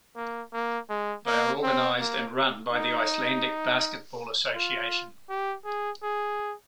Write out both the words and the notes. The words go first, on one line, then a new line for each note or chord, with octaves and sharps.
They are organized and run by the Icelandic Basketball Association.
A#3
A#3
G#3
A#3
C4
A#3
D#4
F4
G4
G#4
G#4